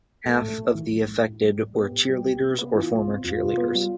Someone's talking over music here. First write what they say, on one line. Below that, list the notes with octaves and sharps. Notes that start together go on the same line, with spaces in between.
Half of the affected were cheerleaders or former cheerleaders.
B1 A3
A2
B1
E3
B1
A2
A2
G3
A2
B3 G4
A2
G3
C2
C3
B3
E3 F4
C2
C3
F2 F4
C3
B3
G3